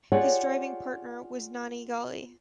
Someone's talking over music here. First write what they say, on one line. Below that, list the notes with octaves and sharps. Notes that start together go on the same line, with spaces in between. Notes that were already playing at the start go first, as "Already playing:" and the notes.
His driving partner was Nanni Galli.
F4 G4 G#4 C#5 D5 F#5